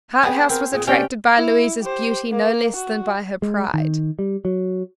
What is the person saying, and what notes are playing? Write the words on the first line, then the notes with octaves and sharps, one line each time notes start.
Harthouse was attracted by Louisa's beauty no less than by her pride.
B3 G#4 G5
C4 A#4
A#2 G#4
C3 C#4 D5 G5
E4
G4 C5
A#3
F#4
G#3
D#3
G3
F#3